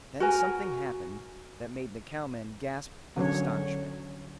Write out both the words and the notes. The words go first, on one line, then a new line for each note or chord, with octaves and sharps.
Then something happened that made the cowmen gasp with astonishment.
F#4 A#4 G#5
D3 F#3 C#4 C#5